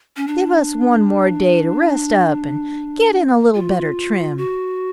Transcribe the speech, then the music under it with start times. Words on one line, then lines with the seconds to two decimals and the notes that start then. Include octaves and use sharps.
Give us one more day to rest up and get in a little better trim.
0.17 C#4
0.28 D4
3.55 F4
4.38 F#4